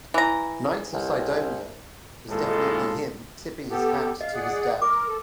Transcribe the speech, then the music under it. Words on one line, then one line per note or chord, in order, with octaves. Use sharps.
'Knights of Cydonia' was definitely him tipping his hat to his dad.
E3 A#5
C2
G#1 D#2 A2 G#3 F4 A4
B3 G4 A4
D#5 F5
G#4 D5 F#5
A#4 D6
A4